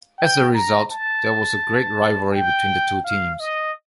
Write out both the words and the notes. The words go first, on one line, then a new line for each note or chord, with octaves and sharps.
As a result, there was a great rivalry between the two teams.
G5
A#5
A5
G5
F5
D#5